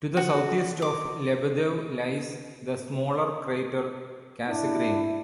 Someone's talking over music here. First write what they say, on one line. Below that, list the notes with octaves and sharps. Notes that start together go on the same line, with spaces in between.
To the southeast of Lebedev lies the smaller crater Cassegrain.
F#4
D6
D4 E4